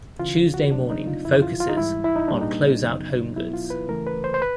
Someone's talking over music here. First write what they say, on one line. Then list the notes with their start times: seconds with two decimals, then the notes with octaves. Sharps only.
Tuesday Morning focuses on closeout home goods.
0.19 D2 C#3 E3 F4
0.54 F#4
0.72 F2 C#3 F#3 A3 C4 D4
0.90 D#4
1.07 F4
1.25 F#2 D3 F3 E4
1.42 F4
1.60 F4
1.69 D#4
1.77 G#2 E3 G3 E4
2.04 E4
2.16 D#4
2.28 A#2 G3 A#3 D4
2.41 D#4
2.83 F#2 C#3 F#3 B3
3.36 B2 F#3 B3 E4
3.53 F4
3.70 B4
3.88 C#2 C#3 E3 A3 A#4
4.07 B4
4.24 C5
4.34 C5
4.42 B4